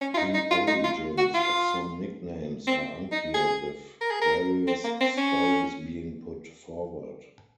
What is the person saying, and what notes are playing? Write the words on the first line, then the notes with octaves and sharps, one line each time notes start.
The origins of some nicknames are unclear with various stories being put forward.
C#4
F4
D#4
D#4
F4
D#4
F4
F#4
F4
C4
D#4
G#4
A#4
G#4
A#4
C4
A#3
C4
C#4